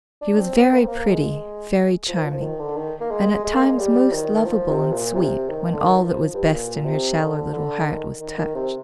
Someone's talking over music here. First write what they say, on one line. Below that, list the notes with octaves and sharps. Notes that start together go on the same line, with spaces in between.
She was very pretty, very charming, and at times most lovable and sweet when all that was best in her shallow little heart was touched.
D4
C4
A#3
C4
A#3
A#3
G#3
F3
D#3
F3
D#3
D3
D#3
A#3
G#3
G#3
A#3
G#3
G3
D#3
F3
C3
A#2
C3
D#3
D3
D#3
F3
G2
A#2
A#2
C3
D3
D3
D#3
D#3
D#3
C3